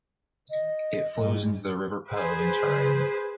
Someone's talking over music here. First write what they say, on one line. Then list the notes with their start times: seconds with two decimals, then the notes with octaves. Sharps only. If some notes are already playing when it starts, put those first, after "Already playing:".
It flows into the river Po in Turin.
0.51 D#5
1.16 G#2 G3
2.10 G#4 B4 C5